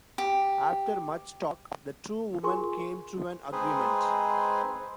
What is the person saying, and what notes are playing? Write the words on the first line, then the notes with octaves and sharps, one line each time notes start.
After much talk, the two women came to an agreement.
G4
F4 G#4 A#4 G#5 C6 C#6
G#3 C4 D#4 G#4 B4 C5